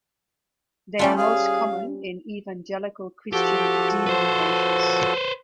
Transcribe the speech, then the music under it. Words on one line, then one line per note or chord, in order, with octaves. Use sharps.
They are most common in Evangelical Christian denominations.
G3 A3 C#4 F4 D5
G#4 F5
F3 F#4 G4 A4
B4 C5